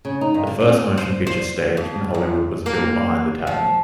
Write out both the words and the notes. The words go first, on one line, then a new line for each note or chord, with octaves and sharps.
The first motion picture stage in Hollywood was built behind the tavern.
C#3
D#4
G2
D3
C4
G#5
C5
C5
F2
F#2
A#3
F3